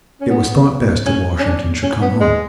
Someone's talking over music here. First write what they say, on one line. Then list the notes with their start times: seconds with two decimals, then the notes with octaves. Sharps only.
It was thought best that Washington should come home.
0.21 C#4
0.30 B3
1.06 C#4
1.39 C#4
1.44 D4
1.83 C#4
2.02 B3
2.20 G#3